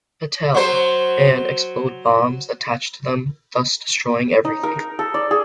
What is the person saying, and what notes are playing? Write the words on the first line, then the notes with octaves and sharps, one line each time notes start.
Patel, and explode bombs attached to them, thus destroying everything.
F#3 C5
D#4
A#4
A4
D5
G#4